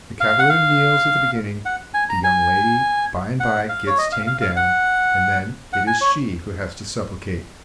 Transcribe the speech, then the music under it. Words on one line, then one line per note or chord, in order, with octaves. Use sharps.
The cavalier kneels at the beginning, the young lady by and by gets tamed down, and then it is she who has to supplicate.
F5
F#5
F5
F#5
G#5
A#5
G#5
F#5
F5
C#5
D#5
F5
F5
F5
F#5
F#5
G#5
C#5